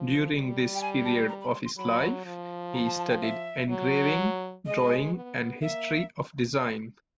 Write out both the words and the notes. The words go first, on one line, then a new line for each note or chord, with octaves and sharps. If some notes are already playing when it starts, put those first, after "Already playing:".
During this period of his life he studied engraving, drawing and history of design.
Already playing: F3
G3
G5
G#5
A5
A#5
B5
C6
C6
F#3 B5
F3
A#5
A5
A5
G5
E5
F#3
G#3 D#5
B3
A#3 E5